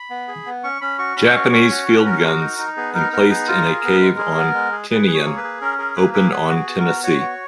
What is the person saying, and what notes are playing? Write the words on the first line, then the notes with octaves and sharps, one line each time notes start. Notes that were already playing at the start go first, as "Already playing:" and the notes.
Japanese field guns, emplaced in a cave on Tinian, opened on "Tennessee".
Already playing: B5
B3
G#4
B3
C#4 C#6
C#4 B5
F#4 C#6
C#4 B5
F#4 C#5
C#4
F#4
C#4
B4
F#4 A#4
F#4
D#4
D#4
B3 G#4
D#4 A#4
B3 A#4
D#4 G#4
F4 A#4
G#4
B3
G#3
G#4
B3
G#3
G#4
G#4 B4
G#4
C#5
A#3
B4
G#4
C#4 A#4
G#4 A#4
A#3 B4
G#4 B4
B3 B4
F#4
G#4
B3
A#4
F#4
F#4 C#5
B3